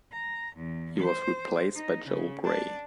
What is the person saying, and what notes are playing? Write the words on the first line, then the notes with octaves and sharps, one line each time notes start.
He was replaced by Joel Grey.
A#5
E2
C5
D#4
C#3
D4